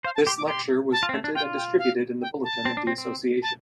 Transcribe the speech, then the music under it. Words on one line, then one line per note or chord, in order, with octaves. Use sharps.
This lecture was printed and distributed in the bulletin of the association.
C5 F5
A5
G4 C6
D6
G4 C6
A5
F4
C4
A3
D4
F4 G5
G5
F5
G5
A5
C4
D4
C4
C4
A5